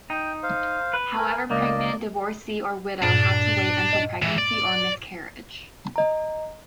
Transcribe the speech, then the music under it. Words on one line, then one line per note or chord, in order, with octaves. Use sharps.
However pregnant divorcee or widow have to wait until pregnancy or miscarriage.
D#4 G5
C5 F5
B4
A#4 G#5
C#2 A#3 D5 D#5
G2 A#2 D4
D#5
A2 E3
D5
D#5 A#5